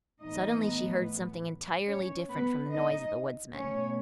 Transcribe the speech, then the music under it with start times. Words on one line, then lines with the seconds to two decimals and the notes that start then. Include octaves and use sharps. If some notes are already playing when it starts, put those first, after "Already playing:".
Suddenly she heard something entirely different from the noise of the woodsmen.
0.21 A2 E3 B3 D#4 D#5
1.87 C#4 C#5
2.29 B3 B4
2.71 D#4 D#5
3.53 B2 A3 C#4 C#5